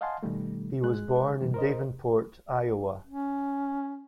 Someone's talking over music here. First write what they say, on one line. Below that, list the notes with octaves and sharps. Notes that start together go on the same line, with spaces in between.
He was born in Davenport, Iowa.
D#5 F5 F#5 G#5 A5 C6
B2 D#3 G3 A3
G#3 F#6
F#2 A#2 C#3 E3 G3
A#4 C5 D#5
C#4